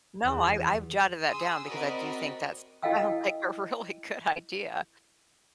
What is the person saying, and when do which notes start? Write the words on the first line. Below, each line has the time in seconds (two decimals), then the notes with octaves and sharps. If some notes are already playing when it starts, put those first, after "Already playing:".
No. I I've jotted that down because I do think that sounds like a really good idea.
0.24 E2
1.25 G#4 C6 D#6 E6
1.69 C4 F#4 A#4 D5 D#5 B5
2.83 E4 A4 D#5 F5 G5 E6